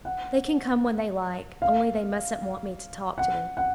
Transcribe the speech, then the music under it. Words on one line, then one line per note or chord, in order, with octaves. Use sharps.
They can come when they like, only they mustn't want me to talk to them.'
F#5
F5
F#5
F#5